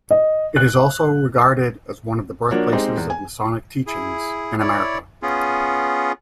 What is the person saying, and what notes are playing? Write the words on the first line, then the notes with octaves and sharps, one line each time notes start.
It is also regarded as one of the birthplaces of Masonic teachings in America.
D#5
F#6
F3 A#3 D4 F#4 A#4 C#5
G#3 C4 D#4 G4
E2
G#5
E4 G#4
E4 C#5 D5
B3 C#4 F4 G#4